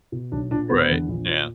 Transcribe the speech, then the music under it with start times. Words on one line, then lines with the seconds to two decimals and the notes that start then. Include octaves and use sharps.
Right, yeah.
0.12 B2
0.32 B1 D4
0.51 A#2 D4
0.70 E1 B3
0.90 E2 D3
1.09 A#1
1.27 A#2